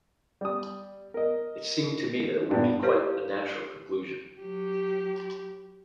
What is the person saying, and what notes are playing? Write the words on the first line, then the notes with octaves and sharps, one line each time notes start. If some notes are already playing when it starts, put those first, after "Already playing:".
It seemed to me that it would be quite a natural conclusion.
G3 D#6
A#4 D#5
G2 A#2 B3
E4 G4 A4 B4 C#5 F5
F#3 G4